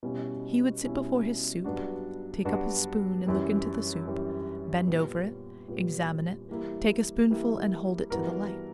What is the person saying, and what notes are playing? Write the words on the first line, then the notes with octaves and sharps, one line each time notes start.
He would sit before his soup, take up his spoon and look into the soup, bend over it, examine it, take a spoonful and hold it to the light.
B2 G3 C#4 E4
B2 G3 C#4 E4
G2 F#3 B3 D4 F#4
G2 F#3 B3 D4 F#4
F#2 E3 G3
F#2 E3 G3
A#2 G3 B3
A#2 G3 B3
E3 G3 A#3 E4
E3 G3 A#3 E4
G2 E3 B3 F#4 A#4